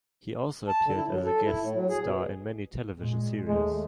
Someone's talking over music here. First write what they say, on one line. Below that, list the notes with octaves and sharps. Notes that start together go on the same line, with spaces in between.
He also appeared as a guest star in many television series.
A5
D3
E4
F#3
A4
E4
A2
F#3
G#4
B2
A#2 G#3
D#2 G#3 A3